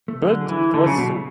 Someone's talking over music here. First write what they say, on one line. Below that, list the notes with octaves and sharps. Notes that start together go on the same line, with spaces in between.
But it was so.
A3
D3 F#3
G#4
E3
E4
D3 A3
C#3 F#3
B2
G#4